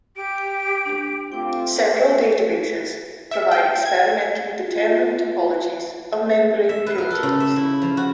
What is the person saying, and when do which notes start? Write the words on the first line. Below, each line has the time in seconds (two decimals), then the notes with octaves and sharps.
Several databases provide experimentally determined topologies of membrane proteins.
0.16 G4 D7
0.85 D4
1.32 A3 C4 F4 G5 D6
3.31 E5
3.51 G5
3.86 G#6
4.66 F4
6.69 E5
6.87 B4
6.98 A#4
7.11 A4
7.23 C#3
7.40 E5
7.56 E4
7.82 F3
7.97 F#4